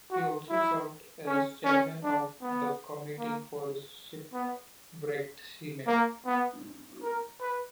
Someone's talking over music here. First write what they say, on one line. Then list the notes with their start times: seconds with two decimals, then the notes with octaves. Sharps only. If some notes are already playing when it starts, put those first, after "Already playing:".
He also served as Chairman of the Committee for Shipwrecked Seamen.
0.11 F#4
0.50 E4
1.26 C#4
1.65 C#4
2.03 D4
2.42 B3
3.19 A#3
4.33 B3
5.87 A#3
6.26 B3
7.02 A#4
7.41 B4